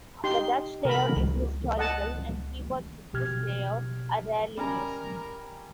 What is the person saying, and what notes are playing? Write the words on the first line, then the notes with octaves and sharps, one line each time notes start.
The Dutch layout is historical, and keyboards with this layout are rarely used.
D#4 G4 C6
C3 A#4 B5
C#2
D#5 F#5 A5
A#1 B2 G4 F6 G#6
G3 C4 C#4 A#4 G#5 A#5